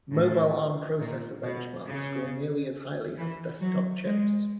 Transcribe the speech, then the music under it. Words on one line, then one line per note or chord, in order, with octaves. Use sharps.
Mobile Arm processor benchmarks score nearly as highly as desktop chips.
A2
A#2
B2
C#3
E3
F#3
G#3